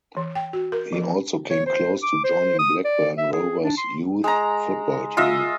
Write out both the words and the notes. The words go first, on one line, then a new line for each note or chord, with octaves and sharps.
He also came close to joining Blackburn Rovers' youth football team.
E3
G5
F#4
A#4
F3
C#5
C5
D6
C5
D#6
D5
E5
G#4
D4
C6
G#3 A#5
F4 D#5 E5